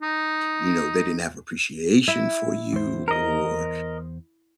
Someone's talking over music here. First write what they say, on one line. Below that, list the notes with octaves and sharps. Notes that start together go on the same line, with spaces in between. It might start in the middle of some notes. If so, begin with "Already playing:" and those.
you know, they didn't have appreciation for you? Or
D#4
E4
E2 C5
A#4 D#5